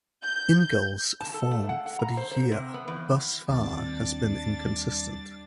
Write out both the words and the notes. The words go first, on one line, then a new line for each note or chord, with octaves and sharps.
Ingall's form for the year thus far has been inconsistent.
G6
A5
A4
A3
F#5
F#5
A#5
C5
C5
C3
B3
E2
D#2 G3 C4 D4 A6